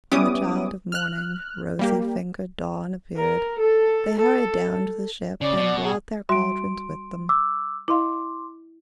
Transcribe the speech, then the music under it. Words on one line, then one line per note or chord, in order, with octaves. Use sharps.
When the child of morning, rosy-fingered Dawn, appeared they hurried down to the ship and brought their cauldrons with them.
G3 B3 C#4 E4 D6 D#6
F6 F#6
G3 A#3 G4
A#4
A4
A4
C#3 D5
B2
G#4
G3 F#4 E5 C6 D7
D6 E6
E4 D#5 F5 C6 D6